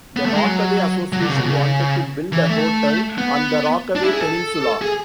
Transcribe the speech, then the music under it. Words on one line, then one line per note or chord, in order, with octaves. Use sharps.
The Rockaway Association wanted to build a hotel on the Rockaway peninsula.
B3
A3
G#3
F#3
F#3
D3
C#3
B2
C#3
E3
A3
B3
D4
E4
G#4
A4
G#4